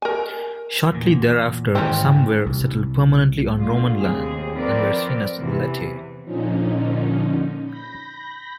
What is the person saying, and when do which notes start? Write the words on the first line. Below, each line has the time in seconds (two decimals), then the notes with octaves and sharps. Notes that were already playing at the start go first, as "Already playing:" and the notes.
Shortly thereafter, some were settled permanently on Roman land, and were seen as "Laeti".
0.02 A#4 G#5
0.91 E2 A#2
1.75 G#2 D#3 E3 C4 C#4
2.47 C2
3.55 A2 D3 A3 F4
3.99 D#2 C3 C4 G#4
4.54 F3 C4 A#4 B4 D5
5.39 E2 C3 E3
6.25 A#2 D3 F3 C#4 D#4
7.65 B5 G6 A#6